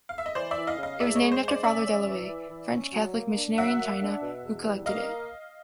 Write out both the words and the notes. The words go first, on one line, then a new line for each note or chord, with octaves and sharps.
It was named after Father Delavay, French Catholic missionary in China, who collected it.
F5
E5
D#5
E3 C5 D5
D5 E5
E3
D#5 F5
C#3
D#5 F5
E2 D5 E5
C#5 D#5
G#3
C5
G#3
C5 D5
C#4 D5 E5
C#4
E3
E3
E3
C#4
F#3
A#3
D4
F#3 E5 F#5
A#3
D4
B2
E2
G3
A#3 D#5 F5